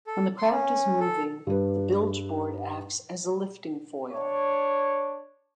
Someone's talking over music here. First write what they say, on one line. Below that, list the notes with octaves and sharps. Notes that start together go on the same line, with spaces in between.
When the craft is moving, the bilgeboard acts as a lifting foil.
A4
C6
C#4
A4
G2 B4
D4 C#5